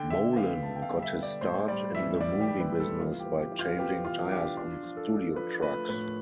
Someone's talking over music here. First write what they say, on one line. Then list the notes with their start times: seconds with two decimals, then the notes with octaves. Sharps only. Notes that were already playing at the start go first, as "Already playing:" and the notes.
Molen got his start in the movie business by changing tires on studio trucks.
Already playing: D3 G5
0.10 D3 E5
0.36 B3 F5
0.62 D3 A5
0.76 G5
0.82 F5
0.89 G3
1.03 E5
1.15 B3
1.23 D5
1.41 A2 C5
1.68 G3 D5
1.95 E3 E5
2.21 E3 D5
2.41 G4
2.48 G3
2.60 B4
2.73 G3
2.80 A4
2.99 E3 F4
3.19 G4
3.26 B3
3.39 G4
3.52 E3
3.59 F4
3.78 B3 G4
4.05 E3 F4
4.31 D4 G4
4.57 D4 F4
4.83 F3
4.97 A4
5.10 D4
5.36 F3 B4
5.62 A3 B4
5.89 A2 B4